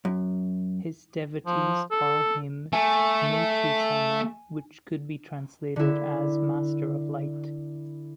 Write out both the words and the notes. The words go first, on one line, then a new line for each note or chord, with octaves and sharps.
His devotees called him "Meishu-sama", which could be translated as 'Master of Light.
F#2
F3
A4
A3 G#5
D3 E4